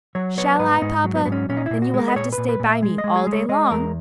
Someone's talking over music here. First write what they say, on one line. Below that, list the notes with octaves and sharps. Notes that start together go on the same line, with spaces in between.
"Shall I, papa?--then you will have to stay by me all day long."
F#3 C#5
B3 C#5
C#5
G#2 B4
G#2 D#4
F#3
B3
G#2 B3
C#4
A#2 C#4
D#4
A#2 E4
F#4
G#3
A#4
D#5
A#2 C#5
B4
A#2
B4
A#2
E5
G#3
D#5
G#3
G#4
G#3
C#5
G#3 D#5
E2 A#4